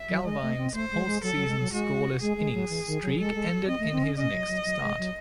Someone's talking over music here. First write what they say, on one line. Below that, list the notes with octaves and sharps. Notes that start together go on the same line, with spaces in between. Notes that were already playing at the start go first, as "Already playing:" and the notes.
Glavine's postseason scoreless innings streak ended in his next start.
Already playing: E5
F#3
G#3 D#5
A3
C4
A3 C5
G#3
G#3
F#3 A4
F#3
G#3
F#3
G#3 F#4
G#3 G#4
G#3
F#3
E3
D#3
F#3
G#3 A4
G#3
C4 D#5
A3
C4
C#4
C#4 D#5
F#3
F#3
F#3
G#3
F#3